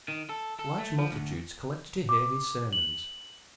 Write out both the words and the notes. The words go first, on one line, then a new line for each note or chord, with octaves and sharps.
Large multitudes collected to hear his sermons.
D#3
A4
A4
A3
F3
D2
D6
F#7